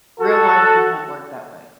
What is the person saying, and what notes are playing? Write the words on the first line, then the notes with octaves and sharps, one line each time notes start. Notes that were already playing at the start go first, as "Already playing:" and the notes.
Real life does not work that way.
F#4 A4